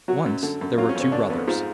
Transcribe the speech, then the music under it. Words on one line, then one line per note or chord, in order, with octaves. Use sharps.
Once there were two brothers.
F#3 F#4
F#2
D3
F#2
F#3 F4
C#4
F2
C#4
D3 D4
F2 B3
G#2 F4